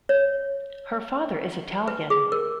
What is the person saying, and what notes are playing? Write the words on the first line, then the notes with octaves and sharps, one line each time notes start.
Her father is Italian.
C#5
B4
G#4
A#4